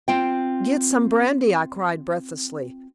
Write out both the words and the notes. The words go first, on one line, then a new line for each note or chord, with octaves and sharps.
"Get some brandy!" I cried, breathlessly.
C4 F4 G5